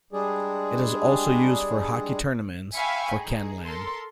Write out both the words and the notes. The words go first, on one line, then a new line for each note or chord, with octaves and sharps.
It is also used for hockey tournaments for Canlan.
G3 G#3 D4 G#4
E5 F5 G5 G#5 B5 C#6
D#4 G#4
A4 A#4 C6